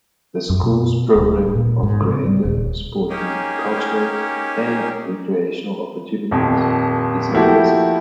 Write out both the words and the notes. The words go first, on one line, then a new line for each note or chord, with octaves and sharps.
The School's programme of creative, sporting, cultural and recreational opportunities is impressive.
F#2
B2
D1
A#2
G#2
C#3
G3
D#1
A#3 C#4 D#4 G4 G#4 A#4
D#1 F2
F3 A3 A#3 E4 F#4 G4